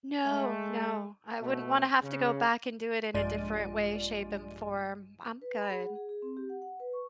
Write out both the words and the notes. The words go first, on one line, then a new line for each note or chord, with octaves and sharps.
No, no, I wouldn't wanna have to go back and do it in a different way, shape, and form. I'm good.
G#3 A3
B2 A3
C#3
A#1 G2 G#3 F4 D5 D#7
B4
B5
G#4
F#5
G#4
G#4
C4
G4
F#5
F#5
B4
C#6